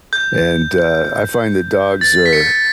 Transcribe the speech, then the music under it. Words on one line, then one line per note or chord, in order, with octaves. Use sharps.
and, uh, I find that dogs are
G6
A6
B6
C#7